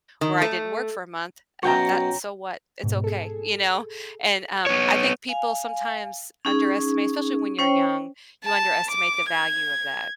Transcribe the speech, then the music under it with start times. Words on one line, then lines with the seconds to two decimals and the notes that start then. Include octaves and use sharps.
where I didn't work for a month, um, that's so what, it's okay, you know, and, um, I think people sometimes underestimate especially when you're young, you underestimate the value of that.
0.21 D#3
0.42 A3
1.63 F#2 B2 F#3 C#5 G5 A#5
2.83 G#2 B2
3.04 G#4 A4
4.66 B3 C#5
5.29 F5 G#5
6.45 C#4 D#4 G#4
7.59 C#4 C5 C#5 G5
8.44 A5
8.91 D6
9.30 G#6